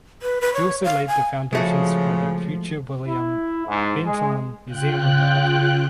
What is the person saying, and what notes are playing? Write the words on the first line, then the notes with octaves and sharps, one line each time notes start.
He also laid the foundations for the future William Benton Museum of Art.
B4
B4
C#5
F5
G#5
C#3 F3 G#3 A3 F#4
E4
G#2
G#3
C#3 F4 G5 F#6